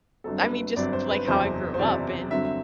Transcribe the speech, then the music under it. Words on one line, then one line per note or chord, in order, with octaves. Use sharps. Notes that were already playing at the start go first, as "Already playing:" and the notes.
I mean, just like how I grew up and,
G1 G2 F#3 C4 A4
B4
G1 G2 F#3 C4 D5
C5
B4
F#1 E2 C3 F#3 C5
C5
F#1 E2 C3 F#3 D5
G2 D3 F#3 C4 E5
E5